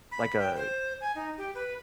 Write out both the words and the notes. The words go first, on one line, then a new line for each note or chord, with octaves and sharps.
like, a
B5
G5
C5
G#5
D#4
G4
B4